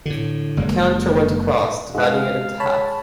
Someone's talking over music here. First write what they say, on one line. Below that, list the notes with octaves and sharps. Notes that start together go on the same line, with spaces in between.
A counter went across, dividing it into half.
A2 D3
F#1 G#3 A#3
G#3 F5 F#6
C#5 A5 B5